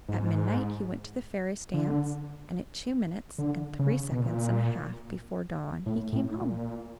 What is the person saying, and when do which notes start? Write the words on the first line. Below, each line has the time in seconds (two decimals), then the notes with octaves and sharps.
At midnight he went to the fairies' dance; and at two minutes and three seconds and a half before dawn he came home.
0.08 G#2
1.74 D3
3.38 D3
3.79 C#3
4.11 B2
4.20 A#2
5.86 A2
6.13 A2
6.41 A#2